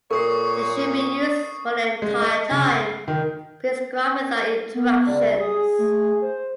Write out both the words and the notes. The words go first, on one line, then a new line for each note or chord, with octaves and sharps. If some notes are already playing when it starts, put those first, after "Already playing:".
They should be used for the entire time prescribed without interruptions.
A#2 A4 A#4 C#5 C#6 D#6 C7
G#3
D#5
C#3
C7
D#3
B3
C#2 D5
G#4 D#6
A3
C5